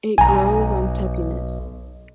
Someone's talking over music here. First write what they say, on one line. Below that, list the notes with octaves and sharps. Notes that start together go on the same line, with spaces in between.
It grows on tepuis.
B1 G#5 A#5